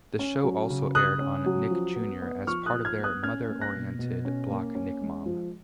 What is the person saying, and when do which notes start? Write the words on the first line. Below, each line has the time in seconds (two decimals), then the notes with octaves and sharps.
The show also aired on Nick Junior as part of their mother-oriented block NickMom.
0.19 C#4
0.44 F#3
0.70 C#3
0.95 C#3 D#6 F#6
1.21 C#4
1.46 F#3
1.71 F3
1.96 B3
2.22 B3
2.47 F3 C#6 F6
2.66 D#6 F#6
2.73 F3
2.85 F6 G#6
2.98 B3
3.04 D#6 F#6
3.23 C#4 F6 G#6
3.49 A#3
3.61 F#6 A#6
3.75 B2
3.99 B2
4.25 C#4
4.50 A#3
4.75 C#4
5.01 G#3
5.26 F3